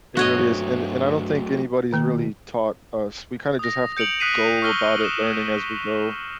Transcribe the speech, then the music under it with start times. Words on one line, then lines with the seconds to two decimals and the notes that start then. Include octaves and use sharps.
It really is, and and I don't think anybody's really taught us, we kinda just have to go about it learning as we go.
0.17 G2 F#3 A3 F#4 C#5 D#5
1.93 B2 D#3 A#3
3.59 D#6 A#6
3.97 G6 C#7 D7 F7 F#7
4.20 D#6 F#6 B6 C7 D#7
4.62 C#6 E6 F6 A#6 G7
5.01 D#6 E7